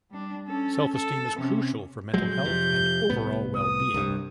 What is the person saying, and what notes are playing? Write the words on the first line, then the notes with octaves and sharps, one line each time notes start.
Self-esteem is crucial for mental health and overall well-being.
G3 D4
C#4 A4
A4
C3 C#4
A#1 F#3 G#3 G6
F2 C3
C2 A2 B3
D#6
C2 G2